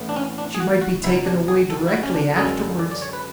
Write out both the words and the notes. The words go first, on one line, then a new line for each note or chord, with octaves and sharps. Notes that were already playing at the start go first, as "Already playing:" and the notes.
She might be taken away directly afterwards.
Already playing: A1 A2 E3 B3
D4
C#4
D4
G#4
F#4
F#4
C#2 B2 F#3 E4
D4
G#4
A4
E4
F#4
C#4
D4
F#2 D3 G#3 C#4 G#4
D5
D5
C#5
B4